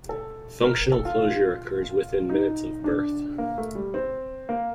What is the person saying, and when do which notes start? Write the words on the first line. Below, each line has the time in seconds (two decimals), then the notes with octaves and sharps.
Functional closure occurs within minutes of birth.
0.09 A4
0.64 A#4
0.92 A4
1.05 F4
2.29 D#4
2.84 D4
3.38 A#3
3.58 A3
3.75 G3
3.94 C4
4.49 A#3